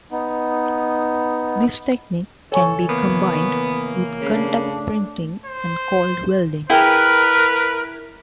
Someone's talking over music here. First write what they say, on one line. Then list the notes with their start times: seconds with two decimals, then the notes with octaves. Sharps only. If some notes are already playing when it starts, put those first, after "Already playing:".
This technique can be combined with contact printing and cold welding.
0.12 B3 D#4
2.52 C#3 E3 A4 C#5 G#5 C#6
2.89 A#3 B3
4.21 C#3 A3 D4
5.46 C5
6.70 E4 G#4 A#4 B4 G5